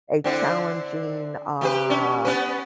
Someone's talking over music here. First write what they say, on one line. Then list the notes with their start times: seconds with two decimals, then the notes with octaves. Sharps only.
a challenging, uh
0.24 D3 C4 E4
1.61 A3 G4 B4
1.90 C#4
2.25 B3 C#4 B4